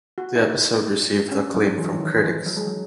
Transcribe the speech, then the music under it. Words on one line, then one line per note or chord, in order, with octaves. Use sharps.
The episode received acclaim from critics.
F#4
E4
D#4
C#4
F#3
E3
F#3
E3
D#3
E3
F#3
G#3
F#3